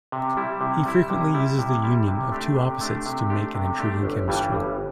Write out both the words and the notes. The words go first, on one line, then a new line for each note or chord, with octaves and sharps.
He frequently uses the union of two opposites to make an intriguing chemistry.
C3
G3 E4
C3
G3 E4
C3
G3 E4
C3
G3 E4
C3
A3 D4 G4
C3
A3 D4 G4
C3
A3 D4 G4
C3
A3 D4 G4
G1
G2 E3 G3
G1